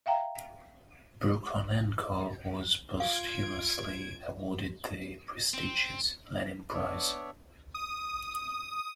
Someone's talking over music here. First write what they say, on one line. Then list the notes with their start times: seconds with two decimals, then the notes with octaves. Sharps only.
Brukhonenko was posthumously awarded the prestigious Lenin Prize.
0.06 E5 F5 G5 A#5
3.00 F4 F5 G#6 D7
5.54 C4
6.73 B3 D4 C#5 D5 E5
7.74 D#6